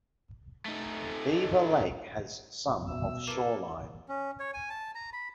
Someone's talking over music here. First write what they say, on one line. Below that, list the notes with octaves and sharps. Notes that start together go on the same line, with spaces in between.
Beaver Lake has some of shoreline.
A3 D#4
B2 E5 E6
A#3 E4 A4 B4
C#4
C#5
G#5
A5
A#5
B5